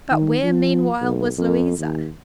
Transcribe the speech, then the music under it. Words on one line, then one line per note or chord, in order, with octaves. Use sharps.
But where, meanwhile, was Louisa?
D#3
F3
B1
F2
D#2